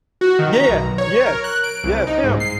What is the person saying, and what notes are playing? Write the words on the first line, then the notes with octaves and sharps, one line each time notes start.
Yeah, yeah. Yes. Yes, him.
F#4
D#3
A#5
B1
C#5
A#4
F#6
D7
C2
D#4
G#2
C7